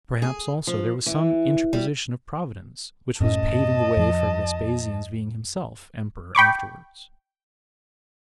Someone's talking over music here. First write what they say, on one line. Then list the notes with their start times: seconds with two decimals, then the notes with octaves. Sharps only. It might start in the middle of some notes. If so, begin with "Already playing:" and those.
Perhaps also there was some interposition of Providence, which was paving the way for Vespasian's being himself emperor afterwards.
0.22 G#4
0.67 F3
1.06 E3
1.73 G3
3.20 F#2 A2 C#4 D#5 A5
3.97 F2 F3
6.35 G5 B5 C#6 D6